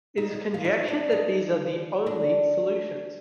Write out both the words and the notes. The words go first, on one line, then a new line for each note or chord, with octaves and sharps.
It is conjectured that these are the "only" solutions.
D#4
F4
D#4
D4
D#4
D4